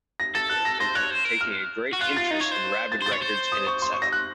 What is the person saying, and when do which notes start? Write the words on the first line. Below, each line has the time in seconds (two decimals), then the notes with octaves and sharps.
Wilson had been taking a great interest in Rabid Records and its set up.
0.20 A#6
0.35 A4 A6
0.50 F#6
0.65 A#6
0.80 C5 A#6
0.95 C#5 F#6
1.10 C5
1.25 A#4
1.41 F6
1.93 F#4
2.01 F4 F#6
2.17 A6
2.31 D#4
2.41 C#5
2.52 C5
2.92 A6
3.02 C5 A6
3.11 C#5
3.22 C5
3.52 D#6
3.67 C#6
3.82 C6
3.93 C#6
4.02 A#6
4.12 F#6